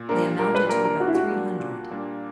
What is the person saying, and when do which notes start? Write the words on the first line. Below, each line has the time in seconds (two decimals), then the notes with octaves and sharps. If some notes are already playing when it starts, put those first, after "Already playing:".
They amounted to about three hundred.
Already playing: A#2
0.09 G3 A#3 D4 A#4
0.39 A#2 A#4
0.55 B4
0.69 G3 A#3 D4 A#4
0.84 A#4
0.99 A#2 F#4
1.07 E4
1.14 F#4
1.30 G3 A#3 D4
1.60 A#2
1.91 G3 A#3 D4